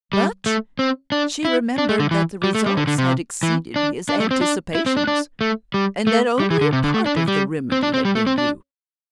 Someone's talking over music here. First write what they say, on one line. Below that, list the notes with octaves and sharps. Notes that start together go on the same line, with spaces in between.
But she remembered that the results had exceeded his anticipations, and that only a part of the remedy had been used.
G3
A3
C4
D4
E4
D4
A3
D3
E3
G3
A3
G3
D3
D3
C3
E3
D4
D4
A3
C4
D4
E4
C4
D4
D4
A3
G3
A3
G3
E3
D3
C3
D3
A3
D4
E3
G3
C4
D4
C4
G3
A3
C4
D4